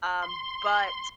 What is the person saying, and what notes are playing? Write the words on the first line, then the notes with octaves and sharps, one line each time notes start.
Um, but
C6